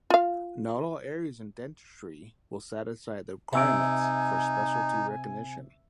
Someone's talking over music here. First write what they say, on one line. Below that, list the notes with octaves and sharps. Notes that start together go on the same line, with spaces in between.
Not all areas in dentistry will satisfy the requirements for specialty recognition.
F4 F5
C3 D#4 E5 G#5 E6 D7